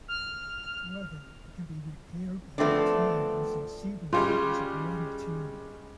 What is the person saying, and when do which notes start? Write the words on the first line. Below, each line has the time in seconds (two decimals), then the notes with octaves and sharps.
However, it can be repaired and maintained using seawater as a raw material.
0.08 F6
2.58 F3 A3 B3 C4 D4
4.13 C#3 G3 G#3 F4